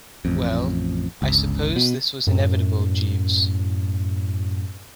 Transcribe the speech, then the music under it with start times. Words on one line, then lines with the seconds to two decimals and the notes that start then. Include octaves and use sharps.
Well, I suppose this was inevitable, Jeeves.
0.25 A1 F2
1.22 G1 C#2
1.76 B2
2.27 F#2 A2